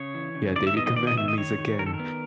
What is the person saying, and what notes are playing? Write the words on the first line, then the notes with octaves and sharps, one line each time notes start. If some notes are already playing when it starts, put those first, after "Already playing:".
Yeah, they become enemies again.
Already playing: C#3 C#5
E3
C#3
D#3 D5
E5
B3 D#5
D#5
D#3 D5
D#5
D#3 E5
D#5
D#3 C#5
D#3
D#3 A#4
A4
A#4
B3